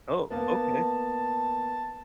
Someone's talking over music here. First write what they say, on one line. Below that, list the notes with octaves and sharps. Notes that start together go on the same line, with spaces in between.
Oh, okay.
A#3 B3 A5